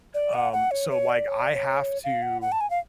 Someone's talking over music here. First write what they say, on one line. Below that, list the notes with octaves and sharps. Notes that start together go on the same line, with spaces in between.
Um, so, like, I have to
D5
F#5
F#5
C#5
C#5
D5
C#5
D5
C#5
F5
F#5
F#5
A5
G#5
F5